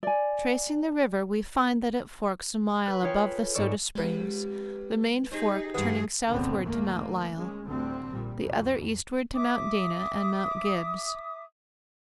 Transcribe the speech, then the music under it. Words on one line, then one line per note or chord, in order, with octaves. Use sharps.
Tracing the river, we find that it forks a mile above the Soda Springs, the main fork turning southward to Mount Lyell, the other eastward to Mount Dana and Mount Gibbs.
D5 G#5
B4 F#6
F4 G#4 A4 C#5 F5 G5
B4
G#2 B3 A#4 D5 C#6 E6
F2 G3 G#3 B4
D#4 G4 G#4 C5
G2 D#3 E3 G#4 B4 F#5 D#6
G1 C#2 A#2 D3 B3 C4
D#2 D3 A3 A#3
G#3 C#4
D2 A2 D3 G3 C4
A#1 A#2 G3
C2 F2 B2
E5 D6 D#6